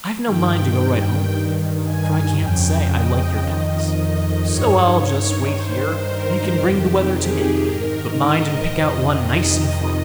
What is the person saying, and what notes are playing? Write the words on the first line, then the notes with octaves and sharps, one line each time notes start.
'I've no mind to go right home with you, for I can't say I like your tykes; so I'll just wait here, and you can bring the wether to me, but mind and pick out one nice and fat.'
G2 D#3 G5
G2 D#3
G#5
F2 C#3 G5
D#5
F2 D#3
G2 D#3 C#5
C#5
G2 D#3 C5
A#4
F2 C3 D#3 G4
G#4
G#2 D#3 A#4
D#5
F2 C3 D#3
D#5